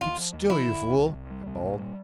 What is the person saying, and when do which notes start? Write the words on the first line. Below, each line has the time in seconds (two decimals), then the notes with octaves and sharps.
"Keep still, you fool!" I bawled.
0.01 D#2 F4
0.17 F3
0.33 D#2
0.49 F3 E4
0.66 D3
0.82 D#2
0.98 C2
1.14 C2
1.31 G3
1.46 C2
1.63 A#2
1.79 G3